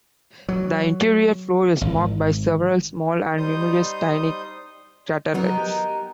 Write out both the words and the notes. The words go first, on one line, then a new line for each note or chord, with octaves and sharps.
The interior floor is marked by several small and numerous tiny craterlets.
F#3
G#1
G3 D#4 C5 D#6 G6
F#3 B3 D#4 A#4
G4